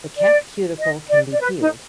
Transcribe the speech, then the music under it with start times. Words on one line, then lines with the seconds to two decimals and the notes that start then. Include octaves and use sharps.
The cap cuticle can be peeled.
0.18 D5
0.79 D#5
1.10 D5
1.32 D5
1.41 B4
1.61 D#4